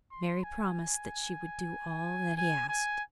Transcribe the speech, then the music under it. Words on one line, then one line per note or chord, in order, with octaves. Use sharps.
Mary promised that she would do all that he asked.
C6
G#5
G#5
G#5